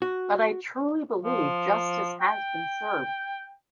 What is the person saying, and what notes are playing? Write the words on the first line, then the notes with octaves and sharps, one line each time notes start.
But I truly believe justice has been served.
F#4
F3
G5